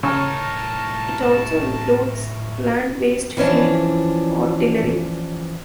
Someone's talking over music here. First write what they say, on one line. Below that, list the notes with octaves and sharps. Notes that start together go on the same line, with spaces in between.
It also includes land-based field artillery.
A2 C#3 D#4 A#4 C#5 A5
E3 F3 C#4 D4